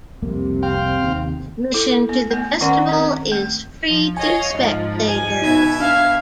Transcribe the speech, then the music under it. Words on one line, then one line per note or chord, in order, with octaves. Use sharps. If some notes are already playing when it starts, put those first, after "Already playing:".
Admission to the festival is free to spectators.
C2 F2 C3 A#3
C4 F5 G5
D#2 C3
E4 A4
B3
A3 B3
D#3 C#4 A#4 D5 F#5 C6
C4 A#4
A3
F3
C#5 D#5 F5 G#5
G#2 F3 D#5
G#5
B2 D#4 E5 G#6
D4 F5